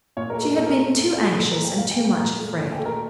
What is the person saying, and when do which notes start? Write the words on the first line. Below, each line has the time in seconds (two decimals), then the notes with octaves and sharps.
She had been too anxious and too much afraid.
0.17 A#2 C#5
0.30 A#4
0.37 A3
0.43 A#4
0.55 A#2 A4
0.66 A#4
0.77 A3
0.98 A#2 A4
1.11 F4
1.17 A3
1.24 G4
1.38 A#2 A4
1.51 A#4
1.58 A3
1.65 G5
1.78 A#2 F5
1.91 G5
1.98 A3
2.05 G5
2.18 A#2 A#5
2.39 A3
2.59 A#2
2.72 G5
2.79 A3
2.86 A#4